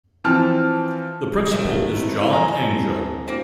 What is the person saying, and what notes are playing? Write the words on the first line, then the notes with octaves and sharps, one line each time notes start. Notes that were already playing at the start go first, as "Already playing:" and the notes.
The principal is Jon Angell.
E3 F3 C4 A5 F6
D#2 D#3 E3 A3
C2
G#5 A#5
A4
C2
D2 A#3 C4